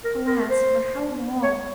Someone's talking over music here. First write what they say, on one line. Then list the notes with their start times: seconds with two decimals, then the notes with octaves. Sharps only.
Alas! for how long!
0.05 A#4
0.27 A#4
0.50 C5
1.43 C#5